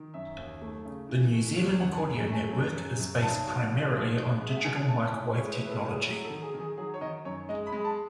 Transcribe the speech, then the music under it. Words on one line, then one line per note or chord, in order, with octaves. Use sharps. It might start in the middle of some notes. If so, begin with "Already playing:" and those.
The New Zealand Kordia network is based primarily on digital microwave technology.
Already playing: D#3
F#2 E5
D#2
A3
C#3
E3
A3
D#2
F#2 F#5
A5
G#5
F#2
G#5
A3
G#5
F#2
F#2
F#2
B1 A5
B2
B1
B1
B2
G#3
E5
F#5
B1 G#5
A2 A5
A5
A2 G#5
G#3 C#5
B4
A2
B4
A4
A2
G#4
F#3 G#4
A4
D#3
G#4
D#3
G#4
F#3 G#4
C#5
D#3 D#5
F#2 C#5
G#3 D#5
B5
G#3
A5